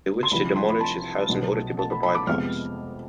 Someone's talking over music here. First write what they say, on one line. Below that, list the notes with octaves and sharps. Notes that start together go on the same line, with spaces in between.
They wish to demolish his house in order to build a bypass.
C6
C2 C3 F3 B5
C6
B5
A5
B1 B2 B3
A5
B5
B5
D6
F2 C3 G#3 B3 F6